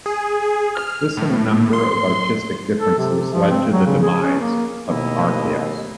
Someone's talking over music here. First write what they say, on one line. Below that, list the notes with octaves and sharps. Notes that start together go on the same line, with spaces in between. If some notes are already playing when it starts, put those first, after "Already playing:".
This, and a number of artistic differences, led to the demise of Archaos.
G#4
F6
A2
C6
A4
C3
F3
C4
F#3
C#3
G#4
C#4
A#3
D#2 B2 A3 E4 D#5